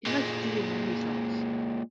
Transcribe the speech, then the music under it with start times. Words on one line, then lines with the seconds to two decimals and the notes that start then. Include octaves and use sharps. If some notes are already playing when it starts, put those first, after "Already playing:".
It has dual memory slots.
0.06 A#2 G#3